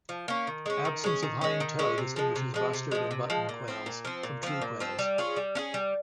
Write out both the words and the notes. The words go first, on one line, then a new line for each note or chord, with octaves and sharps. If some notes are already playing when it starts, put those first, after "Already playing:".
Absence of hind toe distinguishes Bustard and Button quails from true quails.
F3
A#3 C#4
D#3
G#3 C#4
D#3
G#3 C#4
D#3
G#3 C#4
D#3
G#3 C#4
C3
F3 G#3
C3
F3 G#3
C3
F3 G#3
C3
F3 G#3
A#2
F3 C4
A#2
F3 C4
A#2
F3 C4
A#2
F3 C4
G3
C#4 F4 G#4
G3
C#4 F4 G#4
G3